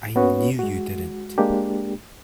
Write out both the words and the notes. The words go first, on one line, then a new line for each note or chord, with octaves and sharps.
I knew you didn’t.
A#3 B3 C#4 F#4 B4 C#5
G#3 F#4
G#3 A#3 D4 G4